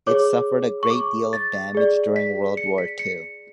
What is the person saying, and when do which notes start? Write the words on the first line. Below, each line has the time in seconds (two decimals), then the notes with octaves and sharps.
It suffered a great deal of damage during World War II.
0.07 G#4 C#5 D6
0.83 C#6
0.90 D6
1.33 A6
1.75 G#4 D5
2.16 B6
2.57 C#7
2.78 B6
2.99 C#7